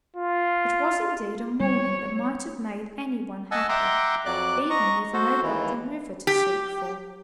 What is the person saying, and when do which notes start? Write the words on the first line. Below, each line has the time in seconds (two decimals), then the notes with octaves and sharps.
It was indeed a morning that might have made anyone happy, even with no Golden River to seek for.
0.16 F4
1.60 G3 C#5
3.51 D#5 F#5 G#5 A5 E6
3.69 E5 F#5 G5 A#5 C6 D6
4.25 F2 F#3 D5 D6 F#6
4.70 D#5 A#5 C#6
5.13 F#4 A4 C5
5.42 D#2 E3
6.27 G4